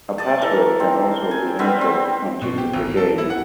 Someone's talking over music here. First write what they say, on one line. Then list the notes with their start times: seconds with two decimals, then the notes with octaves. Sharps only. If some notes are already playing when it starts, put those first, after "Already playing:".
A password can also be entered to continue the game.
0.18 D5 D#5 A5
0.42 E3 A4 A#4
0.80 C4
1.31 G#5
1.59 G3 B3 C4 E5
1.81 C4
2.42 B2
2.58 G4
2.74 G#1
2.97 A4
3.18 E4
3.30 F#5